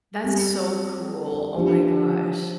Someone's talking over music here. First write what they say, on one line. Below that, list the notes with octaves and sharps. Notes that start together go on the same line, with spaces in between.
That's so cool, oh, my gosh.
G3 C4 G4
F3 D4 G4 C5